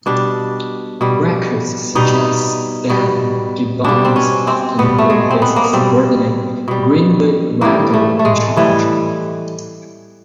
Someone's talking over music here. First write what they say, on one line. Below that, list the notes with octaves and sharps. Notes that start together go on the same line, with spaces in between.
Records suggest that Gibbons often put his subordinate Greenwood Randall in charge.
B2 G3 D4
B2 G3
B2 G3 D#4
B2 G3
B2 G3 D4
C4
C#4
C4
B2 G3 B3
A3
G#3
C4
B3
A#3
B3
B2 G3 C4
B2 G3
A2 E3 G3 A#3
A3
A3
G#3
A2 E3 G3